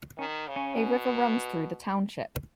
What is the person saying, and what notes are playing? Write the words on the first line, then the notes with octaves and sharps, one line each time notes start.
A river runs through the township.
D#3 C#4
C#3
C#4
B2